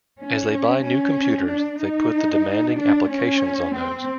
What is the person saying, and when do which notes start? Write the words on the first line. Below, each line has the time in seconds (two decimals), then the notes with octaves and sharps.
As they buy new computers, they put the demanding applications on those.
0.19 C#4
0.84 C#4
1.48 D4
1.81 D#4
2.78 D4
3.11 C#4
3.75 C4